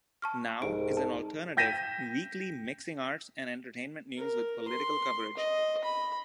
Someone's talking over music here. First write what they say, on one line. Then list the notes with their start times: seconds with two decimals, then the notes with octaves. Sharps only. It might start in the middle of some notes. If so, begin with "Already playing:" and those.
"Now" is an alternative weekly mixing arts and entertainment news with political coverage.
0.22 A5 C#6 F6
0.62 C2 G#2 D7
0.97 A5
1.57 G5 G6 A#6 B6 D#7 E7
4.18 A#4
4.68 C6
5.37 D#5
5.84 B5